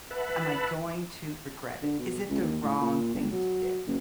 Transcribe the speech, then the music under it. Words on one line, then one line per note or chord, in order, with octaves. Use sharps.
am I going to regret it? Is it the wrong thing to do?
B4 E5 F#5 A5 B5
D3
B2
C#2
D#2
A2
A#2
G1
F#3
F#1